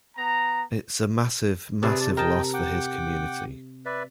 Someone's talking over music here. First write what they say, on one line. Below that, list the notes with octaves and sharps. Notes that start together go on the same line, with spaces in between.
It's a massive, massive loss for his community.
B3 A#5
C3 G#4 B4 D5
D5 A5
A#4 D#5 G5 A5
F#5 G5 D6
B4 D5 E5